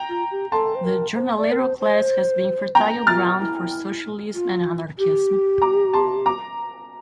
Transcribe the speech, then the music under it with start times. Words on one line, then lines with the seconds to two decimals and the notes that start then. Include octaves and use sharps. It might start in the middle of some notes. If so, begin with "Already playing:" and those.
The "jornalero" class has been fertile ground for socialism and anarchism.
Already playing: G5 A#5
0.09 F4
0.31 G4
0.52 A4 A5 C6
0.75 C5
0.84 A#4
1.15 C5
1.37 D5
1.52 A#4
1.59 C5
1.80 C5
2.75 G5 A#5
3.07 F4 F6 A6
3.40 E4
4.34 F4
4.98 G4
5.62 A#5 D6
5.94 A5 C6
6.26 A#5 D6